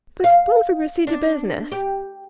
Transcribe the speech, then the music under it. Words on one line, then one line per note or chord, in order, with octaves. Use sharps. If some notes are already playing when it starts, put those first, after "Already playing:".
But suppose we proceed to business.
F5
D4
G4